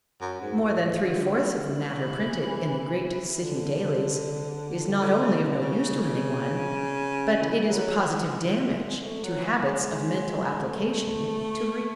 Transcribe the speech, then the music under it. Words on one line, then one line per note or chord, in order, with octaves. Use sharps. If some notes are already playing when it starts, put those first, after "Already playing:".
More than three-fourths of the matter printed in the "great city dailies" is not only of no use to anyone, but it is a positive damage to habits of mental application to read it.
F#2
G#2
A2
D3
E3
D3
D3
C#3
B2
C#3
E3
F#3
G#3
A3
F#3
E3
G#3
A3